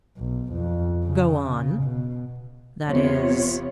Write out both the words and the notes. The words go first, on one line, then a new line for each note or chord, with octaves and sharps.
"Go on--that is?"
B1
F2
C#3
B2
E2 C3 B3 F4 C#5